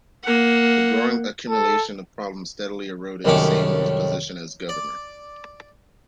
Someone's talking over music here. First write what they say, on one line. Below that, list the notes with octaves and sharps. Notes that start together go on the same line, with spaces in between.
The growing accumulation of problems steadily eroded Seymour's position as governor.
A#3 F#5
A4
C2 F#2 D#3 A3 C#4 D6
D5